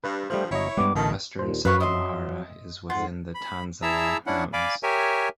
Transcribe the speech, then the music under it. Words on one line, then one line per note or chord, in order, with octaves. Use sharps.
Western Sagamihara is within the Tanzawa Mountains.
G2 B4
G2 F3 G3 A3 C5
G1 F#3 E4 C#5 D#5
G2 G3 G#3 B3 D6
A1 B2 D3 D#3 A5
D#2 A#2 C5
F#2 F#3 B4 F5 C#6
D#5 E5 C6
F2 G#2 F4 F#5
B5
E4 G#4 E5 A5 A#5 E6
C#4 D4 E4 F#5
D5 F5 G#5 B5 D6
G4 A#4 C#5 E5 G#5